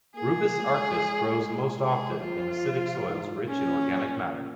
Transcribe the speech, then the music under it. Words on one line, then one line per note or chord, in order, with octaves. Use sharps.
"Rubus arcticus" grows most often in acidic soils rich in organic matter.
A#3 G#4
G#3
G#4
F3 F4
G#2
A#2 C#4